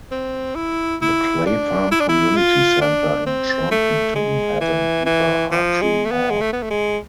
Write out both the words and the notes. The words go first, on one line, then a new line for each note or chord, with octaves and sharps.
The Clay Farm community centre in Trumpington has an Eva Hartree Hall.
C4
E4
E4
D4
E4
D4
E4
F4
D4
C4
A3
G#3
E3
E3
F3
G#3
A3
B3
G#3
A3
B3
A3
G#3